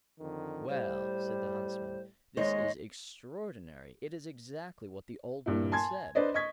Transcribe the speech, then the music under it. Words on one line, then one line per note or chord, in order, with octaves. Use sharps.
'Well,' said the Huntsman, 'this is extraordinary, it is exactly what the Old Woman said.'
F2 D3 D#3
A2 G3 C5
D#2 G#3 C5 C#5 D#5
G2 A#2 E4
G#5 A5 C6 G#6
D4 B4 C5 D5 D#5
D#5 C#6 G#6 B6